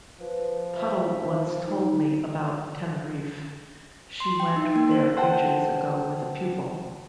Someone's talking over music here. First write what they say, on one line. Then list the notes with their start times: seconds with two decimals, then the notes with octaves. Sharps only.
Puddle once told me about Teneriffe, she went there ages ago with a pupil.
0.20 F3 B4
0.76 E5
1.67 D#4
4.20 C6
4.40 G5
4.56 D#4
4.76 A#3
4.91 C5
5.17 C5 F#5 G5 A5